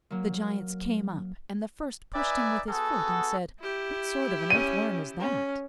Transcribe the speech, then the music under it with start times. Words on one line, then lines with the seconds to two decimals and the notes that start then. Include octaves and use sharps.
The giants came up, and the first pushed him with his foot, and said, 'What sort of an earthworm is that?'
0.11 F#3 A#3
2.14 D#4 B4 D5 E5 G#5
2.68 B3 F#4 G#4 A4
3.60 E4 G4
4.50 C#4 D#7
5.19 C#4